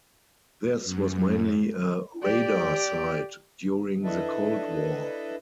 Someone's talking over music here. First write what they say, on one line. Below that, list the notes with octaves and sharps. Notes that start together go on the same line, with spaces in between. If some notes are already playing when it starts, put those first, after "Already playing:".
This was mainly a radar site during the Cold War.
F#2
G4 D5
D4 E4 A4 B4 D#5 E5